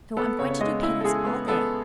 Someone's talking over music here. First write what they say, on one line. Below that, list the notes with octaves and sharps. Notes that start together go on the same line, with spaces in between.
So I'm going to do penance all day.
B3 A4
C#3 C#5
C#5
G#3 D#5
C#3 E4
A4
G#3 G#4
B3
B3 A4